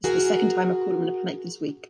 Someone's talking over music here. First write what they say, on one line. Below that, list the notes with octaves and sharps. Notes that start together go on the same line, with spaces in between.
This is the second time I have called him in a panic this week.
F#4 G#4 A#4